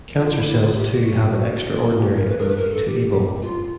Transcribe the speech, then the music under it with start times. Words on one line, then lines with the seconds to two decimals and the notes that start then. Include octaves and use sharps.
Cancer cells too have an extraordinary ability to evolve.
0.18 F4
0.32 E4
0.47 E4
0.61 F4
0.75 G4
0.90 G4
1.02 F#4
1.73 F4
1.88 F#4
2.01 G4
2.15 A#4
2.29 B4
2.39 A#4
2.48 B4
2.57 A#4
2.71 A4
2.86 G4
3.42 F4